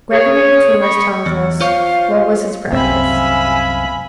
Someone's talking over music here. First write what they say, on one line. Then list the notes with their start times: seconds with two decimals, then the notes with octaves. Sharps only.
Gregory of Tours tells us what was his practice.
0.11 G#4 C#5
0.81 D#5 G5 B5 C#6
1.26 E2
1.61 F4 C5 C#5 F5
2.73 C2 F#2 C3 C4 E5 F5 G#5 B5